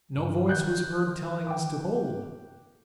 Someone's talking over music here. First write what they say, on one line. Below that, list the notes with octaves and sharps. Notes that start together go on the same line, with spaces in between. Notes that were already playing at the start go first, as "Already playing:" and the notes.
No voice was heard telling us to hold!
G2
D#3 F#6 G6
G5 D6